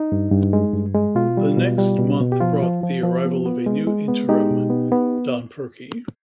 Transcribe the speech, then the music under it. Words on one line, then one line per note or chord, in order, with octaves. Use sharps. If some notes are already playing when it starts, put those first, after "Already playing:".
The next month, brought the arrival of a new Interim, Don Purkey.
Already playing: D#4
G2
G2
G#3
G2
G#3
B2 F4
G3
B2
G3
B2
B2
G4
F3 F4
F3
F3
F3
B3
B3
G#3
G#3
B3
G#3 D#4 G4
B2
B3
B3